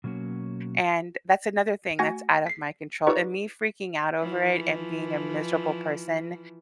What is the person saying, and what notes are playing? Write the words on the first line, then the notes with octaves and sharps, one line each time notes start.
and that's another thing that's out of my control, and me freaking out over it and being a miserable person,
B2 F#3 A#3 C#4 F#4
A3 F#4 F#5 G#5 G#6 A#6
B6 C7
D#4 F4 G4 B4 D5 C#6
E3 F3